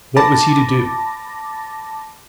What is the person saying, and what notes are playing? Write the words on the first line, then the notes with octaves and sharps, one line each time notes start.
What was he to do?
A5 B5 D6 A6 A#6